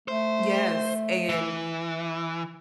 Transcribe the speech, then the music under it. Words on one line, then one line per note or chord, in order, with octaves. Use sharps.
Yes, and
A3 C5
E3